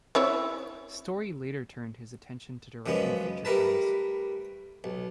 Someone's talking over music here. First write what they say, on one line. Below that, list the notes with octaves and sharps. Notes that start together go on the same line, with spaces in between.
Story later turned his attention to directing feature films.
C4 E4 C#5
C#2 F#2 F3 G#3 B3
G3 A3 A#4 B4 A5
B1